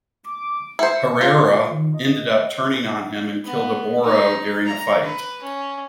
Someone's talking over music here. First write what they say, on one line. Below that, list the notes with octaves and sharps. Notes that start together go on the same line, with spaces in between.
Harara ended up turning on him and killed Oboro during a fight.
D6
E4 C5 C#7
F4
D#3
D#5
B3
D#4
A#5
B4
C#4